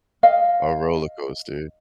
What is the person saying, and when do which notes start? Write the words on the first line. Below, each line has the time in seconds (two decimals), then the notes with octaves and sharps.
a roller coaster.
0.23 D#5 F5